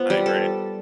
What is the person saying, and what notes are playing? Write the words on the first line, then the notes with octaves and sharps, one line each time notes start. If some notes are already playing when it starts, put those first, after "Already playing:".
I agree.
Already playing: B3 F4 C5
G3
A4